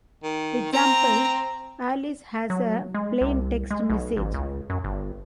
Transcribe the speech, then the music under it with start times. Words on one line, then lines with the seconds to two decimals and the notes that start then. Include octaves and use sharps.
Example: Alice has a plaintext message.
0.23 D#3
0.73 C4 A#5
2.50 F#3
2.94 G#3
3.21 C2
3.71 G#3
3.90 B1
4.17 G#1
4.34 C#2
4.70 F#2
4.84 G1